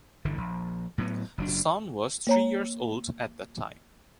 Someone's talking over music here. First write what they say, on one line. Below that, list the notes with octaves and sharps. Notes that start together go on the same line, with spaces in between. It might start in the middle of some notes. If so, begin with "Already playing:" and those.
The son was three years old at that time.
G1 D3 E3
A#1
A2 F#3 A#3 B3
F#1 F#3 D4
A#3 C#5 A#5